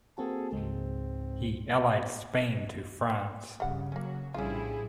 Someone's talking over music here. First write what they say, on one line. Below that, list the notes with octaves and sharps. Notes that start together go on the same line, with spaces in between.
He allied Spain to France.
A#3 C4 F#4 G#4 A4
C#2 G#2 G#3 C4
G2 C#3 G3 F#5
F#3 A#3 C#4 F#4
A#1 A2 F3 G3 C#4 E4 F4 G#4